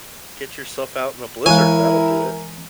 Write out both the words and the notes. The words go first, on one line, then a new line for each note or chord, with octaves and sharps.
Get yourself out in a blizzard, that'll do it.
E3 G#3 E4 A#4 G#5